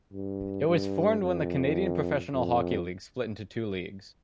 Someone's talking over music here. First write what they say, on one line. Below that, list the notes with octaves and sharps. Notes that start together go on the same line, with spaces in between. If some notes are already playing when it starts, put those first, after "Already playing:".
It was formed when the Canadian Professional Hockey League split into two leagues.
G2
G2
F2
F2